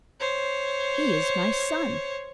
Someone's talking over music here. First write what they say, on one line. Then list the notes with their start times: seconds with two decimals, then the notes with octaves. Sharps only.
He is my son.
0.20 C5 C#5